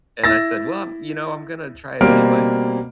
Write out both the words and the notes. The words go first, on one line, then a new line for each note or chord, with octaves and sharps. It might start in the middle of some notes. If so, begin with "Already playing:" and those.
and I said, "Well, you know, I'm gonna try it anyway."
E4 E6 A6 A#6
B2 G3 A#3 C4 F6 D7